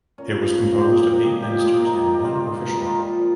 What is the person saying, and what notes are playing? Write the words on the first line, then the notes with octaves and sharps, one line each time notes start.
It was composed of eight ministers and one official.
A#2 C#4
F3
G2
F3
A#2 G4
G#4
F3 G4
G#2 G4
F3 G#4
A#2 G4
F3 G#4
F4
G#2 G4
D#4
F3
G4
G2 G#4
G4
D#3
F4
G#2 F4
F3
G#2 A#3
G3
D#3
F4
A#2
F3